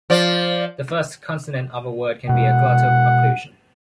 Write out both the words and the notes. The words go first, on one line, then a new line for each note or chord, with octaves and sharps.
The first consonant of a word can be a glottal occlusion.
F3 D5
B2 G#3 F#5